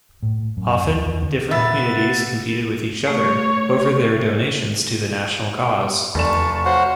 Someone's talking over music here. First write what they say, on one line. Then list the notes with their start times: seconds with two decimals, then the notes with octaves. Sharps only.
Often, different communities competed with each other over their donations to the national cause.
0.23 A2
0.57 F#2
0.85 D#2
1.06 E2
1.22 D3
1.51 A#2 B3 E5 A6
3.07 A3 C#5
6.15 F1 E2 D5 A5 C#6 E7
6.65 F#4 C5 C#5 F5 F#5